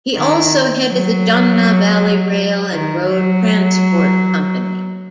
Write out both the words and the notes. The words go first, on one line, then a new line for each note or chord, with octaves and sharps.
He also headed the Jumna Valley Rail and Road Transport Company.
D#3
F#3
D#3
F#3